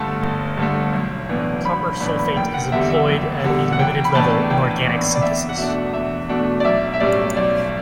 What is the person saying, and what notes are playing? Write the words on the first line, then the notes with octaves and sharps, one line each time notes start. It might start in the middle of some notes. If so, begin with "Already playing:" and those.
Copper sulfate is employed at a limited level in organic synthesis.
Already playing: G1 G2 D3 A3 A5
G1
G2 D3 A3
B1
A2 E3 B3 D4
B1 B5
A2 E3 B3 D4 B5
B5
F#1 G5
F#5
E2 D3 G3 E5
E5
F#1
E2 D3 G3
F#5
A1 G5
B5
A2 E3 B3 D4 A5
A1 G5
A2 E3 B3 D4
D5
E2 E5
F#5
B2 A3 D4 E5
E2 E5
B2 A3 D4
D5
B1 E5
E5
A2 G3 C#4 D5
B1 D5